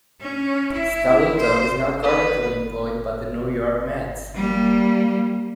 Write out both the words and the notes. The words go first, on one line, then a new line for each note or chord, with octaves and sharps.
Stelluto is now currently employed by the New York Mets.
C#4
E4
C5
B4
G3 A#3